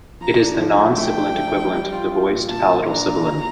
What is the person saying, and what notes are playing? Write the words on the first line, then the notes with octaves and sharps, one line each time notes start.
It is the non-sibilant equivalent of the voiced palatal sibilant.
F3 A#5
D4
F3
A3
A3 G5
D4
A3
F3
G3
F4
F4
A#2
A#2 A5
F4
D4 A#5
A#2
A#2